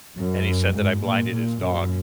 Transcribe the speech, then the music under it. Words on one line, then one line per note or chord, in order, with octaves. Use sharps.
and he said that I blinded his dog.
F#2
G#2
A#2
A#2
F#2